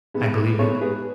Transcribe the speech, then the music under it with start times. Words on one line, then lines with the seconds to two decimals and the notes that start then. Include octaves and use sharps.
I believe it.
0.14 G#2 G#3 B3
0.59 G#2 G#3 B3 A4 C#5
0.81 G#4 B4